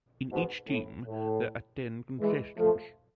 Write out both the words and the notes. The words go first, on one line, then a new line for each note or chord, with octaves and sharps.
In each team there are ten contestants.
G#2 B2
A2
A2
E3 G#3
F3 A3